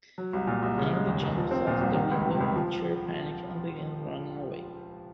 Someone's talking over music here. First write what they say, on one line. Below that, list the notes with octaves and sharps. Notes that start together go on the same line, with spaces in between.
Andy jumps out the window in sheer panic and begins running away.
F#3
C2
A#2
C2
C#3
G#3
D#2
F1
F3
C4
A#2
C2
D#3
C#2
C3
C#2
F3